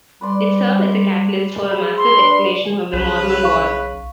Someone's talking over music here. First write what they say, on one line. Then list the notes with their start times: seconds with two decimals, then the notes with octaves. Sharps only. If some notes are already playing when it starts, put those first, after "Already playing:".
It served as a catalyst for a massive escalation of the Mormon War.
0.21 G3 B4 D5 C6
1.68 G#4 E5 B5
1.97 C6
2.18 D4 B4
2.93 B1 C#3 B4
3.43 F5 C#6